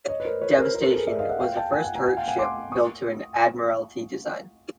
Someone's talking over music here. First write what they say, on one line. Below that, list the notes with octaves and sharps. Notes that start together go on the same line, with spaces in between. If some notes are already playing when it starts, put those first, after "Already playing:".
"Devastation" was the first turret ship built to an Admiralty design.
C#5 D#5
B4
A#4 C5
B4 C#5
A#4 C5
A#4 C5
A4 B4
G#4 A#4
D5 E5
D#5 F5
E5 F#5
F5 G5
G5 A5
F#5 G#5
F#5 G#5
G#5 A#5
F#5 G#5
F5 G5
F#5 G#5
C6 D6
C#6 D#6